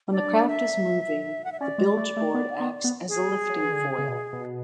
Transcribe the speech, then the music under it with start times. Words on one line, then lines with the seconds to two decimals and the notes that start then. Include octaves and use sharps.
When the craft is moving, the bilgeboard acts as a lifting foil.
0.12 D4 D5
0.48 E5
1.45 F#5
1.52 E5
1.60 C#4 D5
1.78 G#3
1.97 A3
2.17 A3
2.34 B3
2.60 B3
2.84 B3
3.08 G#4
3.50 F#3
3.61 E3
3.72 D3
3.83 C#3
3.98 C#3
4.09 B2
4.33 B2